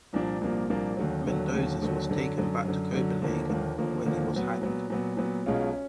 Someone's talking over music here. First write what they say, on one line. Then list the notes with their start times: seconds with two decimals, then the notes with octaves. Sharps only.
Mendoses was taken back to Copenhagen where he was hanged.
0.13 C2 A#2 F3 A#3 D4
0.41 C2 A#2 F3 A#3 D4
0.70 C2 A#2 F3 A#3 D4
0.97 D#2 D3 F#3
1.26 D#2 D3 F#3
1.53 D#2 D3 F#3
1.82 D#2 D3 F#3
2.09 F#2 D3 F#3
2.38 F#2 D3 F#3
2.65 F#2 D3 F#3
2.93 F#2 D3 F#3
3.22 D#2 D3 F3 A#3
3.49 D#2 D3 F3 A#3
3.78 D#2 D3 F3 A#3
4.05 D#2 D3 F3 A#3
4.33 A#2 F#3 B3
4.61 A#2 F#3 B3
4.90 A#2 F#3 B3
5.17 A#2 F#3 B3
5.46 B1 B2 G#3 C#4 F4
5.73 C#4